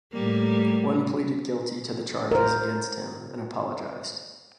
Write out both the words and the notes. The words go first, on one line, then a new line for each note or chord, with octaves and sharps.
One pleaded guilty to the charges against him and apologised.
A2 G3 A#3
A#4 C5